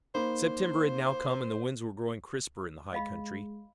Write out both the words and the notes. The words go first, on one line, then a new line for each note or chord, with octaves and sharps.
September had now come and the winds were growing crisper in the high country.
A#3 D#4 C5 B5
G#3 D#5 F5 B5